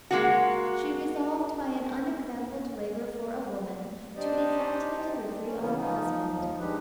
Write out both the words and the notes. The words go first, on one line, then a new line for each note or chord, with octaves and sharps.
She resolved, by an unexampled labour for a woman, to effect the delivery of her husband.
G#3 A#3 F#4
D4 D#4 G4 C5 D5 D#5
C#4
C#3 E3 A#3 B3 C#4
F3 D#4
D#2 F3
G#3 D4 D#4 G4 B4